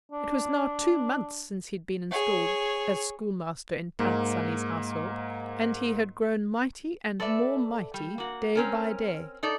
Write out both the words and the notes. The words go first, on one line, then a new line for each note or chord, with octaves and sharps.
It was now two months since he had been installed as schoolmaster in Tant Sannie's household, and he had grown mighty and more mighty day by day.
D4
G#4 C#5
G#2 A#3
A4 B4 D5 E5
G3
A#3 F#4
C4 C#4 A#4
D#4 A4 D5